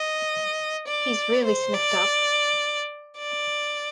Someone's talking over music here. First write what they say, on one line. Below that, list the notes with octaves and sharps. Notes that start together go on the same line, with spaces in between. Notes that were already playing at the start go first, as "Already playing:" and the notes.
He’s really sniffed up.
Already playing: D#5
D5
C5
D5
D5